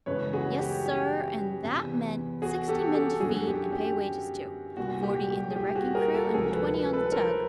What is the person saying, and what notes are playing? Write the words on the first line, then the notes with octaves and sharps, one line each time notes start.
Yes, sir, and that meant sixty men to feed and pay wages to--forty in the wrecking-crew and twenty on the tug.
F#2 C#3 E3 G#3 B4 C#5
F#4 G#4
G4
G4
E2 C3 E3
F#4 G#4
G4 A4
G4 A4
F#2 D3 F#3 F#4 G#4
G4
G4
C2 A#2 G3 F#4
G4
G4
G#4
G4
F#4 G#4
G#4 A#4
G4 A4
D2 C3 F3 G#3 G#4 A#4
A4 B4
A4 B4
A4 B4
A#4 C5